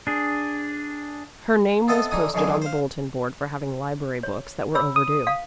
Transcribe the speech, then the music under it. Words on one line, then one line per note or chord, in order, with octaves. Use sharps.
Her name was posted on the bulletin-board for having library books that were overdue.
D4 G#4
B3 C4 A4 D#5 E5 A5
D3 E3 D#4 G#5 D#6
B1 F#2 B2 D3 E3 G#4
C5 F5
C#5
C#5 B5 E6
D#6
F5